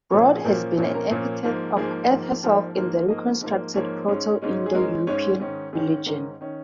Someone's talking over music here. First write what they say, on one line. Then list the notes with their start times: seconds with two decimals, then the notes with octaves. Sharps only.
"Broad" has been an epithet of Earth herself in the reconstructed Proto-Indo-European religion.
0.11 A#2 F3 A#3 C#4 C#5
0.36 G#4
0.44 A#2 F3 A#3 C#4 A#4
0.77 A#2 F3 A#3 C#4 C#5
0.94 A#4
1.11 A#2 F3 A#3 C#4
1.43 G#2 F3 A#3
1.77 G#2 F3 A#3 G#4
2.10 G#2 F3 A#3
2.43 G#2 F3 A#3
2.75 G#2 F3 A#3 A#4
3.08 G#2 F3 A#3 D#5
3.41 G#2 F3 A#3
3.74 G#2 F3 A#3 C#5
4.08 G#2 G#3 C#4
4.42 G#2 G#3 C#4
4.66 G#4
4.74 G#2 G#3 C#4 A#4
5.07 G#2 G#3 C#4 C#5
5.40 G#2 D#3 C#4
5.73 G#2 D#3 C#4 G#4
6.06 G#2 D#3 C#4 A#4
6.41 D#3 C#4